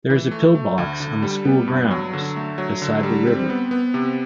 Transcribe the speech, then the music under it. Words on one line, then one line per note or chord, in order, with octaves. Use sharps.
There is a pillbox on the school grounds, beside the river.
E3
A3
A3
D2
D3
G3
B3
G2
F#3
D3
A3
F#3
D3
G3
C4
B3
B3
C3